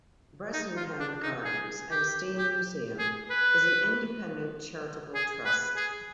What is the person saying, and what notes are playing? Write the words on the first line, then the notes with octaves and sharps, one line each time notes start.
Bressingham Gardens and Steam Museum is an independent charitable trust.
D#4
F4
D4
D#4
G#4
G4
G4
G#4
B4
G#4
B4
G#4